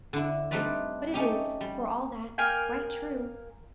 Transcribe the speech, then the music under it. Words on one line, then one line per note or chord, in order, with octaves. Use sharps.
But it is, for all that, quite true.
D3 E4
G3 A3 C4 D#4 B4 D5
A3 C#4 D#4 G4
G3
A#3 A#4 G5 G#5